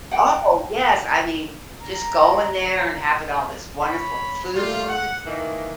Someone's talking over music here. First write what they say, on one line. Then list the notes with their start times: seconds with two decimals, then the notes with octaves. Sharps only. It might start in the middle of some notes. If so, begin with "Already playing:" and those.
Oh, yes, I mean just going there and having all this wonderful food,
0.11 F#5 G5
1.81 A#5
3.82 C#5 B5
4.55 A#2 G3 F4
4.88 F#5
5.27 D#3 E3 A3 A#3